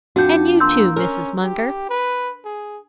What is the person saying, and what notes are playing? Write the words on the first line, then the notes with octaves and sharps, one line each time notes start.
And you too, Mrs. Munger.
F2 D4 F#4 F#5 G6
A#3 C6 E6 G6
C#4 A#4
G4
B4
G#4